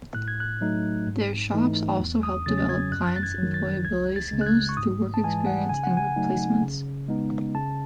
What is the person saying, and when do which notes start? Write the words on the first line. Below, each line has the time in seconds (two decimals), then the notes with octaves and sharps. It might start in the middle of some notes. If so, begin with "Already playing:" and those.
Their shops also help develop clients' employability skills through work experience and work placements.
0.15 A2 F#6
0.28 G#6
0.40 F#6
0.61 F#3 A3 D#4
1.07 G#2
1.53 E3 A3 D#4
2.00 E2
2.23 D#6
2.46 C#3 F#3 C#4 A6
2.58 A6
2.69 G#6
2.92 F#2 F#6
3.16 A6
3.23 G#6
3.38 D#3 F#3
3.54 A6
3.85 C#2 G#6
4.16 A6
4.31 C#3 G#3
4.41 F#6
4.46 G#6
4.69 C#6
4.77 G#2 D#6
5.14 A5
5.23 E3 G#3 G#5
5.46 F#5
5.69 C#3 G#5
5.83 F#5
5.97 G#5
6.16 F#3 A3 D#4
6.62 C#3
7.08 G#3 B3 D#4
7.55 C#3 A5